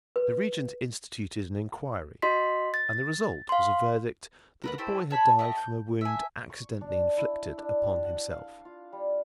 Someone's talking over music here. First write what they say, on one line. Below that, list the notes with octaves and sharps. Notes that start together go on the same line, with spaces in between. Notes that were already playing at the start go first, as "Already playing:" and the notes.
The Regent instituted an inquiry, and the result was a verdict that the boy had died from a wound accidentally inflicted upon himself.
B4
F#4 D#5 C6 B6
A6
F5 C6
A#4 B4 F#5
A3 E4 G4 C5
C#5 A5 B5
A3 G4 D#5
G6
E5 G#5
C#6
D4
E4
D4
G4
F#5
F5
F4
G3